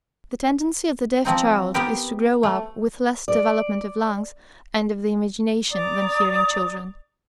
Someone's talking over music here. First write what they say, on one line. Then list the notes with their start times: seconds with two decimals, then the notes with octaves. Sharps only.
The tendency of the deaf child is to grow up with less development of lungs and of the imagination than hearing children.
1.25 F3 C4 D#4
1.74 B3 G4 A#4
2.43 A3
3.28 D5
5.71 D5 A#5 D6 D#6